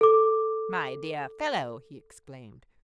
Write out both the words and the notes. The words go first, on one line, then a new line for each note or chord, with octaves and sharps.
"My dear fellow!" he exclaimed.
A4 D6